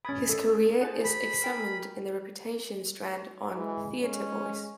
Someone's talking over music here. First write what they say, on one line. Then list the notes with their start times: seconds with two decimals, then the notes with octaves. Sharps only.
His career is examined in the Reputations strand on "TheatreVoice".
0.05 C#4 B5 D#6 G#6 A6
0.29 A3 A4
0.81 G#4 C5 F#5 G#5 A5
1.04 B5
1.42 A#4 G5 G#5
3.56 E3 G#3
4.01 G#3 C#4